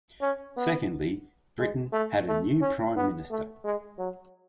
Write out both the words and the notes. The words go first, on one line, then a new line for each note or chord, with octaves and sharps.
Secondly, Britain had a new Prime Minister.
C#4
B3
G#3
A3
A3
C#4
B3
A3
G#3
F#3